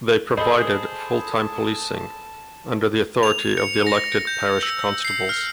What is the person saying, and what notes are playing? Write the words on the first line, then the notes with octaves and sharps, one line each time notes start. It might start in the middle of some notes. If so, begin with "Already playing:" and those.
They provided full-time policing, under the authority of the elected parish constables.
G#4 A4 C5 D#5 A5 B5
F7
C#7
A#6
G6
E6
C7
F6